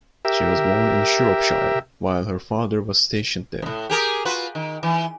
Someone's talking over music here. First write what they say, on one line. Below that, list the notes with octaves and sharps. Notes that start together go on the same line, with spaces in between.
She was born in Shropshire while her father was stationed there.
G4 A#4 E5
F#2 A2
G4 G#4 A#4
F4 F#4 B4
D#3
E3